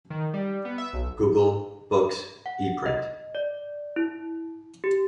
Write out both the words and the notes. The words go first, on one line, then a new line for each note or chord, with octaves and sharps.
"Google Books" Eprint.
D#3
G3
B3
E5
B1
F#5
D#5
D5
E4
G4